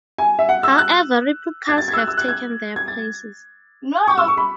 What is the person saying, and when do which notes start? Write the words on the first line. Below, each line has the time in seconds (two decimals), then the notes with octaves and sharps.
However, replicas have taken their places.
0.18 G#5
0.39 E5
0.49 F#5
0.63 E6
0.78 F#6
1.69 G#6
1.78 A6
1.88 G#6
1.93 E6
1.98 F#6
2.08 E6
2.17 F#6
2.28 G#6
2.76 G#6
2.88 A6
4.08 C#6
4.18 E6
4.28 C#6
4.37 B5